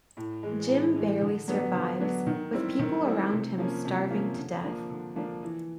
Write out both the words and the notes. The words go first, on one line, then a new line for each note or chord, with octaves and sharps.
Jim barely survives, with people around him starving to death.
A2
E3 G#3
A2
E3 G#3
D3
F#3 B3 D4
D3
F#3 B3 D4
D#3
G3 C4 E4
D#3
G3 C4 E4
C3
F3 A#3 C#4
C3
F3 A#3 C#4
D3
F3 A#3 D4
D3
F3 A#3 D4
E3